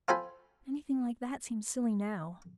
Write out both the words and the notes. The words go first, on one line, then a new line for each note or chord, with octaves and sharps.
Anything like that seems silly NOW.
F4 A4 C5 G5 G#5 B5